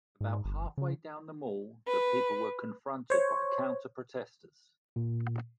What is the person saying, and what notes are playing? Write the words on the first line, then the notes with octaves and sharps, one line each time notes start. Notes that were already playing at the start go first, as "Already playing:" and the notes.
About halfway down the Mall the people were confronted by counter-protesters.
G#2
G1
C#3
B4
C5 C#5
A#2